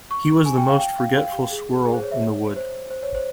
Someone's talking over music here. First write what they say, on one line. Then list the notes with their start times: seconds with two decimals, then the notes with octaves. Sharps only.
He was the most forgetful squirrel in the wood.
0.11 C#6
0.46 G#5
0.57 G5
0.68 F5
0.80 G5
0.99 F5
1.15 F5
1.33 G4
1.51 G#4
1.85 G#4
1.94 C5
2.03 C#5
2.12 E5
2.21 C#5
2.56 C5
2.90 C5
3.03 C#5
3.15 C5